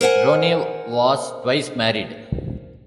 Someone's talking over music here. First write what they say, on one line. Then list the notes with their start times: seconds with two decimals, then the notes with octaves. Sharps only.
Ronay was twice married.
0.01 A#4 C5 F#5 G#5